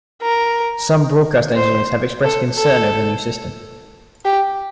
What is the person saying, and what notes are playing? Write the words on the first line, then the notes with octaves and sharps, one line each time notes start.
Some broadcast engineers have expressed concern over the new system.
A#4
C5
A4
A4
G4